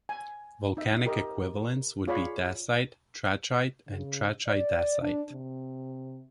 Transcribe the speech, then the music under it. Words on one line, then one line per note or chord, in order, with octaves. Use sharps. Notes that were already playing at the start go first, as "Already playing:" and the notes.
Volcanic equivalents would be dacite, trachyte and trachydacite.
G#5
D#4 E5
G4 A#4 D#5 G5
F4 G#4 C#5 D5 F5 B5
C#3
D5
D4
C3